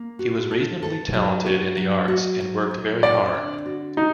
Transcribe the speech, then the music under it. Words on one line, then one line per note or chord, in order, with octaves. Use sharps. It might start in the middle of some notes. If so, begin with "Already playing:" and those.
He was reasonably talented in the arts and worked very hard.
Already playing: A#3
F#4
A4
A4
F#3
F#4
F#3
F#4
F#3
F#3
C4 D5
D3
F#4
D#4 F#4